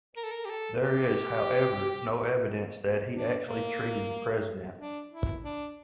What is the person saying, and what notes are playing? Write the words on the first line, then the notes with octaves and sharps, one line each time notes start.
There is, however, no evidence that he actually treated the President.
A#4
A4
A#4
G4
A4
G4
D4
A#3
D4
E4
D4